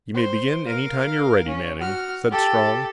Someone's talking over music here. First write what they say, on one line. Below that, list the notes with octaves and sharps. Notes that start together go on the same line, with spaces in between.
"You may begin any time you are ready, Manning," said Strong.
C5
A#4 F5
C#4
F#4 F6
G4 A4